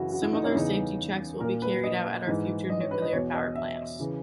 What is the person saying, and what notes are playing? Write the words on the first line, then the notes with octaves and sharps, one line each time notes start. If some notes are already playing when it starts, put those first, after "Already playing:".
Similar safety checks will be carried out at our future nuclear power plants.
Already playing: F#2 C#3 E3 E4 F#4
F#4
E4
D#4
C#4
E4
E2 C#3 E3 D#4
A#2 A#4
B4
D#5
G#2 E3
D#5
C#5
B4
D#5
E2 B2 C#5
D#5
E5
C#3 E3